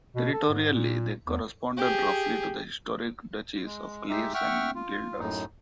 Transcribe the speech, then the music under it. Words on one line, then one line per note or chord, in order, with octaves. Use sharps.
Territorially they corresponded roughly to the historic duchies of Cleves and Guelders.
B2
A4
G#2
A#2
E2
G4 G#4
G#3
G#3 D#4 G4 E5
E5 F#5 G5 C#6 F6
F4
F#2 A2 D#4